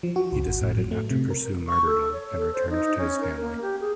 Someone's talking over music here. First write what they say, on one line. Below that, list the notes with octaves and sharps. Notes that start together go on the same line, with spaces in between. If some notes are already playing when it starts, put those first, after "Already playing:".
He decided not to pursue martyrdom and returned to his family.
F3
F#4
C#2
G#1
A2
F#3
A3
C3
A#4
C#6
A4
C#5
A4
C5
D#4
C#4
A#4
A#3
G4
G#4